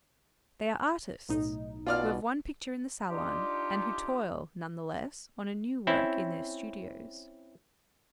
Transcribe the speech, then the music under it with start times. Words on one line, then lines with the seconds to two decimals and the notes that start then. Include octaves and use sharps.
They are artists, who have one picture in the salon, and who toil, none the less, on a new work in their studios.
1.29 B1 A2 D#4
1.86 B2 F4 D5 F6
3.11 D4 D#4 F4 G4
5.87 C4 C#4 E4